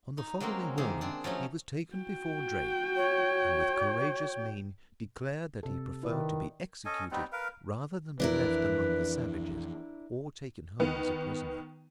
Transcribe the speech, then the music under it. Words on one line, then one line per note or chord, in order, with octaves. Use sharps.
On the following morning he was taken before Drake and with courageous mien declared that he preferred to be executed rather than be left among the savages or taken home as a prisoner.
D#4
F#3 G#3 A#3 C4 C#4
C3 D#3 A#3 G#4
C4 D4 G#4
F3 F#3 A3 C#4
F#4 G5
C#5
C3 A4
D#3 E4 B4 D5
C#4 A4 D#5 G#5
G3 B3 C4 D#4
A#4 B4 F5
F2 E3 D4 E4 A#4 B4
D#3 B3